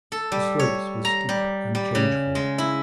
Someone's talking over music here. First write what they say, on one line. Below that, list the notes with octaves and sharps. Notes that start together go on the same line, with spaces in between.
The slopes were steep and changeful.
A4
G3
C#5
A#5
G3
G3
C#3
G#3
E4